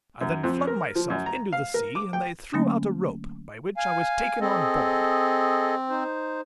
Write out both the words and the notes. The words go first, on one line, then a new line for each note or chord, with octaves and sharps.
I then flung myself into the sea, and they threw out a rope, by which I was taken on board.
F#2
F2
A#4
F3
F#2
A#5
F5
A#4
D6
G5
D3 F#3 A3 A#3 C#4
F5 G#5
C4 G#4 A4 D#5
D#4 C5